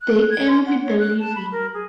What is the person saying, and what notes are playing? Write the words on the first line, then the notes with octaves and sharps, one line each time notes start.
They envy the living.
F#6
G#6
C6
F#5
C#5
F#6
A5
B5
A#4
G#4